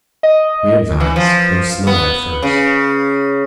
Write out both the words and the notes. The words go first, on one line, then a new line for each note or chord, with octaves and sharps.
We advise: Go slow at first.
D#5
E3
F3
B3
C#3